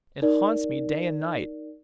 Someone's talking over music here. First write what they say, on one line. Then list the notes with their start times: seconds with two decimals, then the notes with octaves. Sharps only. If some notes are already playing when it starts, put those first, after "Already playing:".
It haunts me day and night.
0.22 D#4 A#4 D5